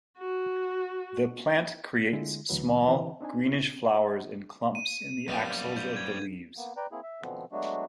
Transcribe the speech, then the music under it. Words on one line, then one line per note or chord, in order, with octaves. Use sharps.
The plant creates small, greenish flowers in clumps in the axils of the leaves.
F#4
D3 G#3 E4
D2 E3 F#3 B4
D3 E3 G4 B4
C4 D4 D#4 G#5
E4
D#7
F#2 F3 G3 A#3 B3
G6
G#6
A#3 B3
B4 D5 G5 A#5
A#3 C4 E4 G#4
E5
B2 D3 E3 F3 B3 C4
F#3 G#3 A3 B3 D4 F#4